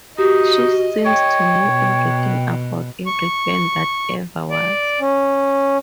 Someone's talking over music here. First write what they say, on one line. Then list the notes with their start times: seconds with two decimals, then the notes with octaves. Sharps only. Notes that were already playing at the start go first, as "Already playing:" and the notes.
She seems to know everything about every band that ever was.
0.18 D#4 F#4 G4 D#5
1.05 C#5 G5
1.67 B2
3.06 C#6
4.51 D5
5.01 C#4